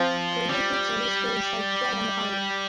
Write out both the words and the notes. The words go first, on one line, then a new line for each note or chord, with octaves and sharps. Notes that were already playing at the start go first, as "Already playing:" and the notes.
Caribbean coots and least grebes have bred on the pond.
Already playing: F3 C4 F4 C5
G3